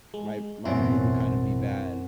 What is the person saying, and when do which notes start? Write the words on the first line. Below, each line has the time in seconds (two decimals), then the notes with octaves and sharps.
my my mood would kind of be bad,
0.14 G#3
0.65 A1 F#2 B2 C4 E4